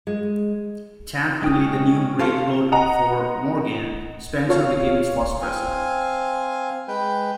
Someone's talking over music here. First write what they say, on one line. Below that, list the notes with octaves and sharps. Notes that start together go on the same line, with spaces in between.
Tapped to lead the new railroad for Morgan, Spencer became its first president.
G#3
G#3 C#4 G5 D#6
F4 A4 F5 C6 C#6
D#5 F#5 A#5
F4 C#5 F5
C4 F5 G#5
G#3 B4 G5